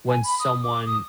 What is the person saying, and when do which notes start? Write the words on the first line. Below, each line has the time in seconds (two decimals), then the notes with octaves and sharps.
when someone
0.08 G#5
0.24 B5
0.40 D#6
0.63 D6
0.86 D#6